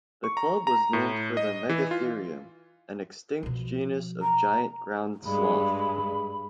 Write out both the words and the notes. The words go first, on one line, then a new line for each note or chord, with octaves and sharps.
The club was named for the "Megatherium", an extinct genus of giant ground sloth.
C#6
A#5
A#5
A2
D#5
E3
F4
B2 F3
A#5
G2 G#3 B5